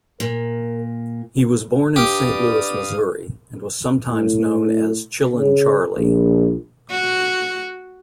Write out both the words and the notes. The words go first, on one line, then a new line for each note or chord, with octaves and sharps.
He was born in Saint Louis, Missouri and was sometimes known as "Chillin' Charley".
A#2 A#4
D4 G4 B4 D5 F5 D#6
A2
C#3
A#1
F#4